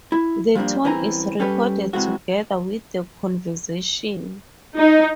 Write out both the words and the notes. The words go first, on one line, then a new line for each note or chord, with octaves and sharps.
The tone is recorded together with the conversation.
E4
F3 G3 A3 A#3 D4
C2 E3 C4 C#4 G#5 A#5
G3 C#4 G4 A4 B4 C#5
C3 E3 G#3 F#4
D#4